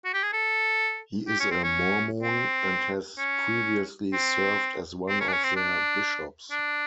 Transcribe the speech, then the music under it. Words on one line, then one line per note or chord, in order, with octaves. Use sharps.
He is a Mormon and has previously served as one of their bishops.
F#4
G4
G#4
A4
G4
C#4
C4
C#4
C4
C#4
C4
C4
C#4
D4
C#4
C4
D4
D4